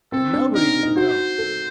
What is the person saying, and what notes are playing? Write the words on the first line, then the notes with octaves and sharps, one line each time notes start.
And nobody didn't go.
C4 A4
D4
D#4 A#4
D#4
F#4 C5
A4